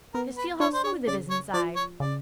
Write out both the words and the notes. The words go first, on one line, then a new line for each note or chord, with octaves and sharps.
"Just feel how smooth it is inside!"
B3 A#4
B4
D4 C#5
C5
C#5
C#3 D5
C#5
F3 D5
C#5
C#3 D5